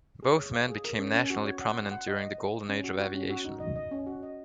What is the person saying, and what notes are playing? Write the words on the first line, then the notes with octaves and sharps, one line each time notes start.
Both men became nationally prominent during the Golden Age of Aviation.
G#4
C#5
F5
G#4
A#4
C#4
C#4
F#4
C#5
F#5
C6
F#5
D#5
D#5
C5
C5
C#4
F#4
F#4
C#4
F#4
D#4
D#5
D#5
C#4
F#4
D#5